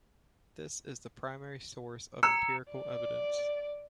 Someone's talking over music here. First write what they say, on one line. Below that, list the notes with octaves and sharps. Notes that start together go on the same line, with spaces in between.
This is the primary source of empirical evidence.
A#5 E6 G#6 C#7
D5